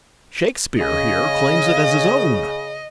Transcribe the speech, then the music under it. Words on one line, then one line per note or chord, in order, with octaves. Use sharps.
"Shakespeare here claims it as his own."
C#3 D#5